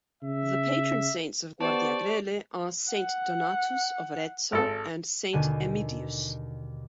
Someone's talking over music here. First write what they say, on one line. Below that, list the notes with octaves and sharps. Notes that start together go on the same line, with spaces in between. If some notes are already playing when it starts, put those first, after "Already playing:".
The patron saints of Guardiagrele are Saint Donatus of Arezzo and Saint Emidius.
C#3 E5
B3 G4 C5 D5 A5 C#6
F#5
G#1 A4
D#2 B2 D3 G#5 D#7